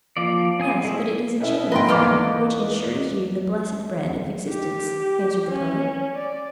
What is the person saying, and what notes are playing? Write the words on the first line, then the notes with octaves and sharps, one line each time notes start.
"Yes; but it is a chain, friend, which ensures you the blessed bread of existence," answered the poet.
F3 A#3 D5
C4 G#5 D#6
G#3 A3 E4
B2 C#4 E4
G#2 A#3 B4 D#5 G5 B5 C6
E2 A#3 B3 D#4 A4 D5 C#6 D6
G4
C#4
D5